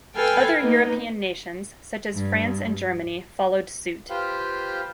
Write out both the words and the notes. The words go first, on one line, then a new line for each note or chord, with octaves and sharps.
Other European nations, such as France and Germany, followed suit.
A4 B4 F5 G5 G#5
A#3 B3 D#4
G2
F4 G4 B4 C5 F5 G5